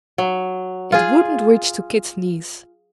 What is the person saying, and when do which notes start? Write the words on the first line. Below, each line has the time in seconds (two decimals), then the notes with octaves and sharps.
It wouldn't reach to Kit's knees.
0.18 F#3
0.92 F4 G#4